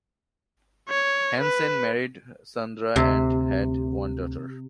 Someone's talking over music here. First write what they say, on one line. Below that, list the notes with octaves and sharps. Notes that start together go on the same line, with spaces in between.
Hansen married Sandra and had one daughter.
C#5
B4
D2 C3